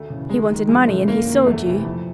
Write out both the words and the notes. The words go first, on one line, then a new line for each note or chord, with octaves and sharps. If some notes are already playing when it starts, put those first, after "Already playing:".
He wanted money, and he sold you.
Already playing: D2 A3
C#3 E3
D#2 G#3
D#3
F2 G#3
C#3 E3 A3
F#2 A#3
D#3
E2 A3
C3 E3
F2